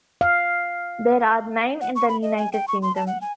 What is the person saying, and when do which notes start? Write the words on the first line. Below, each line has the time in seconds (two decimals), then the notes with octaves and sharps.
There are nine in the United Kingdom.
0.21 F5
1.81 F#5
1.96 C#6
2.09 B5
2.22 D#5
2.38 G#5
2.53 G5
2.68 C#6
2.82 C6
2.96 A5
3.07 F#5
3.21 G#5